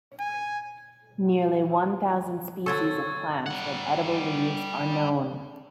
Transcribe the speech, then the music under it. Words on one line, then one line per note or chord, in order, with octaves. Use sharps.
Nearly one thousand species of plants with edible leaves are known.
G#5
D3 F#3 C4 A4 C#6 G#6 A6
G3 F#5